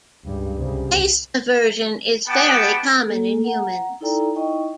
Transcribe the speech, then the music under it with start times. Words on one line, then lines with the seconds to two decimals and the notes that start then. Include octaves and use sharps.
Taste aversion is fairly common in humans.
0.24 C#2 G2
0.57 C2 C#3
2.28 B3 G4 D5 F#5 G5 A5
3.06 A#3 A4
3.44 F#5 A#5
4.01 D#4 E4 A4 D5 G5 A#5
4.35 D#4 E4 D#5 G5 C#6